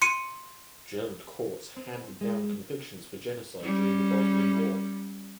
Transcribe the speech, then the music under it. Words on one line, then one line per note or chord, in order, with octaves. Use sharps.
German courts handed down convictions for genocide during the Bosnian War.
C6 C#7 D#7
C4
G#3
G3 C#4